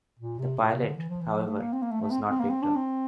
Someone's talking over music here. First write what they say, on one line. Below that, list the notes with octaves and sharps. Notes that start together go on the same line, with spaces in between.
The pilot, however, was not picked up.
A#2
C3
A#2
C3
D3
E3
F3
E3
F3
A3
A#3
C4
A#3
A3
A3
C4
C4
A#3
C4
D4
C4